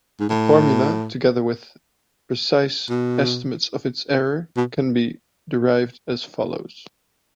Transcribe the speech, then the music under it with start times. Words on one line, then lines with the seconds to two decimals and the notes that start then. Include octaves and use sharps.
The formula, together with precise estimates of its error, can be derived as follows.
0.20 G#2
0.30 A2
2.90 B2
4.57 B2